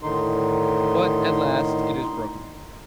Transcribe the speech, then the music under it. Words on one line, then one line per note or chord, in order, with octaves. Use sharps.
'But at last it is broken.
A2 D3 D#3 D#4 C6